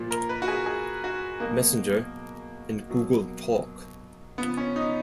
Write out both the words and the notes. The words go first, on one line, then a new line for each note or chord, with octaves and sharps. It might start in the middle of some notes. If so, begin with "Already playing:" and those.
Messenger, and Google Talk.
Already playing: A#2 F3
A#4
B4
F#4
G#4
G#4
F#4
B2 F#3 A#3
B2 F#3
C#3 F3 B3
C#4
D#4